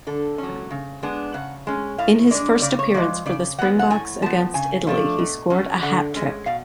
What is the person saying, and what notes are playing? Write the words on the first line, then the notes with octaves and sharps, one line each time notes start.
In his first appearance for the Springboks against Italy, he scored a hat-trick.
D3 A4
F#3 C#4
C#3
G#3 B3 D4
C#3 F#5
G#3 C#4
A2 F5
G#3 D4 D5
C#3 D5
C#5
F3 G#3 D5
C#3 D5
F#3 B3 F#5
F#5
A2 G#5
F3 B3 A5
C#3 G#5
F3 A3 D4
B2
F#3 C#4
D3 F#5
G#3 C#4
B2 F5